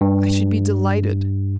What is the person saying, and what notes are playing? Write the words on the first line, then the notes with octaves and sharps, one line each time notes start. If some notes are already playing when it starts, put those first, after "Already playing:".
"I should be delighted."
G2